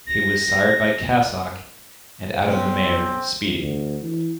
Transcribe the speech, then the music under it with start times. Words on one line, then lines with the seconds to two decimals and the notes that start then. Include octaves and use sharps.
He was sired by Cassock and out of the mare, Speedy.
0.07 A#6
2.50 B1 C4 C#4
3.59 D2
4.03 E3